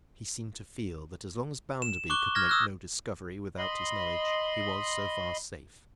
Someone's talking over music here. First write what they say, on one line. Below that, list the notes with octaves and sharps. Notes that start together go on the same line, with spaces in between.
He seemed to feel that as long as Bounderby could make no discovery without his knowledge, he was so far safe.
E7
C#6 D6 F#6 G7
F6 G#6 A#6
D#6 E6 F#6
D#5 B5 C6